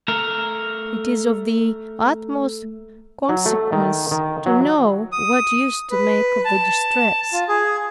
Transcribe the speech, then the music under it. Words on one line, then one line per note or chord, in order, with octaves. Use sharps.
It is of the utmost consequence to know what use to make of the distress.
A3 A#4
F#3
A3
D#3
D#3
F#3
D#6
B4
A5
F4
G#4